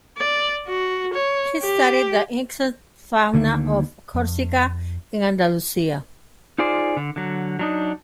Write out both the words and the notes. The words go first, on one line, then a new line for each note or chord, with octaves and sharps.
He studied the insect fauna of Corsica and Andalusia.
D5
F#4
C#5
G4
D2 D3 D#3 A#3
F2
D#4 F4 G#4 C5 D5
D3
D3 F#3
F#3 D4 D#4